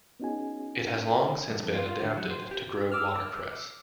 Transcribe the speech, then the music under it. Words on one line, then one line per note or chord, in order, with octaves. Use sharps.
It has long since been adapted to grow watercress.
B3 C#4 D#4 F#4 G#4 G#5
G2
F2
F4
F4
D3
F#3
C5
G4
D6 E6 F6